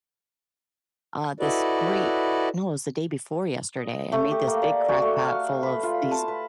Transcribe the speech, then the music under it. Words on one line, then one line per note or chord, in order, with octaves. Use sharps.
uh, this great no, it was the day before yesterday, I made this big crock pot full of these
E4 F#4 A4 B4 D5 D#5
D#5
A3
G4
A#3
D5
F#4
A3
F5
B4
F4
A5
B4